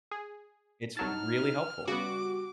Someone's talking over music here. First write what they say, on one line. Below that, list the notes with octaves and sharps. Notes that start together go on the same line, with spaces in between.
It's really helpful.
G#4
C2 F#3 D#4 A5 F6
C#3 G3 B3 F#4 D6